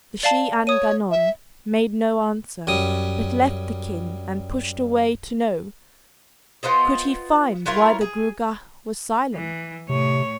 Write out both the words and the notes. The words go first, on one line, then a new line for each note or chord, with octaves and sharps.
The Shee an Gannon made no answer, but left the king and pushed away to know could he find why the Gruagach was silent.
D5 F5 A5
C#5 D#6 D#7
E5
F#2 G3 D#6
B3 F4 C5 D#5
F#3 E4 F4 A#4
G#4
E3
A2 C3 C#5